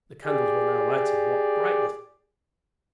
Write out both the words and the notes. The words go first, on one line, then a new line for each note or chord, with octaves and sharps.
The candles were now lighted--what brightness!
G4 G#4 D5